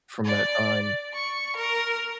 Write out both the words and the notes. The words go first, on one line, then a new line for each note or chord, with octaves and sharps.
from that time.
D5
C#6
A#4